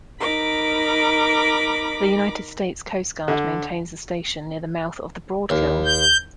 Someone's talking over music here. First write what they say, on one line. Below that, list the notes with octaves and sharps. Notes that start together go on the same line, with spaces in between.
The United States Coast Guard maintains a station near the mouth of the Broadkill.
D#4 A#4 B5 D6
D3
D#2
G6